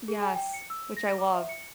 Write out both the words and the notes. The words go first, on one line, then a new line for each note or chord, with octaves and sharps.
Yes, which I loved.
G#4
G#5
G5
C#7
E6
A#6
D6
E5
C#7